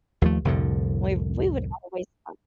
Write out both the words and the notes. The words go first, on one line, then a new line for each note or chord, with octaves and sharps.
we we would always, uh
D#2 F3 A3
C2 F2 A2 D3